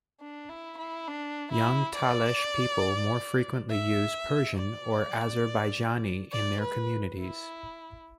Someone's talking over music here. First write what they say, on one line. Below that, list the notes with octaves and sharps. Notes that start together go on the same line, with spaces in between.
Young Talesh people more frequently use Persian or Azerbaijani in their communities.
D4
E4
E4
D4
E4
D5
E5
D5
D5
B4
E4